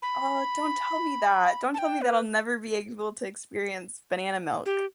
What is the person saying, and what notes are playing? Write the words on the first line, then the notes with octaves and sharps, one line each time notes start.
Oh, don't tell me that. Don't tell me that I'll never be able to experience banana milk.
B5
A5
G5
B4
G4